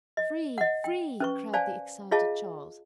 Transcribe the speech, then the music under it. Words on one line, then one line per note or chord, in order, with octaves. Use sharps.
"Free! free!" cried the excited Charles.
D#5
D#5 F#5
G5
C#4 B4 C#6
C5 D5 F5 G#5 A5
F4 G#4 C#5 D#5 F5 A5